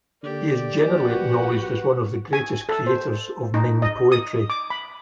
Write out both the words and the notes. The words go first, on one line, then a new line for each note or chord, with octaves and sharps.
He is generally acknowledged as one of the greatest creators of Ming poetry.
D3 A#3 G4 D5
A#1 F#4 B4 F#5
G#5
A4
C5
D#4
D#5
D#6
D6
B5